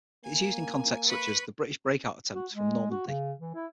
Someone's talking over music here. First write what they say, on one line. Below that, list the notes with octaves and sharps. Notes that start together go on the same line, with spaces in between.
It is used in contexts such as: "The British breakout attempt from Normandy".
A#3 G#5
B4 B5 C#6
F#4
G#3
F#4
C#3
E3
E4